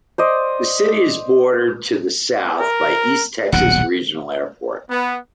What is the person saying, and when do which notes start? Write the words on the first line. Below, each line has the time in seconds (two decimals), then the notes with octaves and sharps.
The city is bordered to the south by East Texas Regional Airport.
0.18 C5 D5 D#5
2.59 A#4
3.52 D#1 B1 A#2 F#5
4.91 B3